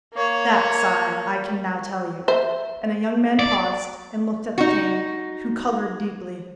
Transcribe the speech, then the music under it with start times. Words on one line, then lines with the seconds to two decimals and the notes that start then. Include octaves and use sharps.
That, sire, I can now tell you,' and the young man paused and looked at the king, who coloured deeply.
0.14 A#3 C#5
2.28 C5 E5
3.39 D5
4.58 D#4 F#4